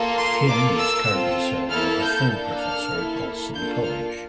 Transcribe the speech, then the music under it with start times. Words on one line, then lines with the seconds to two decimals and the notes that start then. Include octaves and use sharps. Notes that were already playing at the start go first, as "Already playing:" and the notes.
Kim is currently serving as a full professor at Ulsan College.
Already playing: A#3 F4 A4
0.18 C6
0.48 A#3 F4 A4 D6
0.78 E6
1.09 C4 F4 A4
1.70 A#3 E4 A4 F6
2.01 G6
2.32 A#3 D4 A4
2.62 F6
2.92 A#3 E4 A4
3.53 A#3 D4 F4 A4 G6
3.83 F6